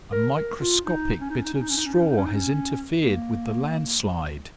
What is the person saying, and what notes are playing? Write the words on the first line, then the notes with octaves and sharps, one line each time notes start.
A microscopic bit of straw has interfered with the landslide.
A#4
A#4
F4
D#4
C#4
D#4
C#4
D#4
C#4
D#4
C#4
D#4
C#4
D#4
C#4
D#4
C#4
D#4
C#4
A#3